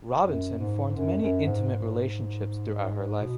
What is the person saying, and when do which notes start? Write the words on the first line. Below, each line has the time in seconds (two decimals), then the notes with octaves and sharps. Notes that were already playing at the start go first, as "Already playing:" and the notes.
Robinson formed many intimate relationships throughout her life.
0.21 F#2
0.59 G#2
0.96 F#2
1.22 F#2
1.46 G#2
1.72 G#2
3.21 B2